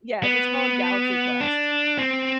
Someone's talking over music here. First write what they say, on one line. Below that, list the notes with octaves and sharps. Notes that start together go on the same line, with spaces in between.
Yes, it's called Galaxy Quest.
B3
D4
C4